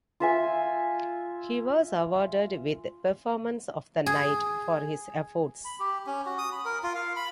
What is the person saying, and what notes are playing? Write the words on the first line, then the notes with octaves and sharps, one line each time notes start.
He was awarded with "Performance of the Night" for his efforts.
F4 E5 G#5
G#4
B5
G4
C#4
F#4
D#6
B5
A#4
F4
F5
B5